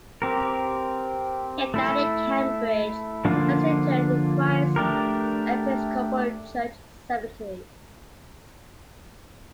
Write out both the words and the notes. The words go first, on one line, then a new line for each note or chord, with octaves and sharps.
He died in Cambridge, and is interred in Christ Episcopal Church Cemetery.
C4 G4 A#4
A3 E4 A4
D3 F3 A#3 D4 F4
A3 D4 G4 A#4